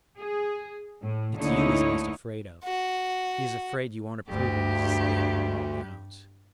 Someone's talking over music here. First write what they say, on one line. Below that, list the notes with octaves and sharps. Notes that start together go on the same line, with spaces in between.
It's you he's most afraid of, he is afraid you won't approve of his escape on moral grounds.
G#4
A2
D2 D3 A#3 D#4 E4 C#5
F#4
D2 G2 G4